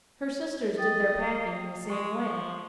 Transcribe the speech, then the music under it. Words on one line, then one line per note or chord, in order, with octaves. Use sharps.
Her sisters did their packing in the same way.
D#5 G5 A6
C7
G#3 C#6
F3